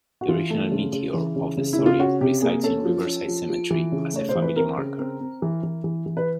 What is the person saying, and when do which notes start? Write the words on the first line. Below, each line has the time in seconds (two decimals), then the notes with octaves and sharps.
The original meteor of the story resides in Riverside Cemetery as a family marker.
0.21 F#4
0.28 E3 F4
0.50 A3
0.71 C#3
0.93 C#3
1.14 E3
1.36 C#3
1.57 C#3
1.73 E4
1.79 C#3
1.86 F4
1.99 C#4 F#4
2.21 C3 G4
2.42 A#3 G#4
2.63 C#4 A4
2.85 F3
3.06 C#4
3.28 F3
3.50 F3
3.70 E3
3.92 C#3
4.13 A3 C#5
4.29 C5
4.35 E3
4.42 B4
4.56 C4 A#4
4.78 C#3
4.99 C4
5.20 C4
5.42 E3
5.63 E3
5.84 E3
6.06 E3
6.17 B4